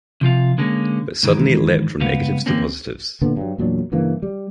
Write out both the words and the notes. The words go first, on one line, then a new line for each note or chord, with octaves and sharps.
But suddenly it leapt from negatives to positives.
C3 F3 F4 F5
D3 G#3 A#3 C#4
G#2 D#3 E3
C#2 G2 B3 F5
D3 E3 A#3 C4 C#4
A#2 D3 B3
G2 F#3
E2 A#2 F#3 D4
G2 C#3 E3 A#3
G3